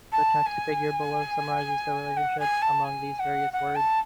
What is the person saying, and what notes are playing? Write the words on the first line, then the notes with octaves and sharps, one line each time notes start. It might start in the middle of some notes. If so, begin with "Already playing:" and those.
The text-figure below summarizes the relationships among these various words.
A5
G#5
F#5
G#5
A5
G#5
F#5
F#5
A5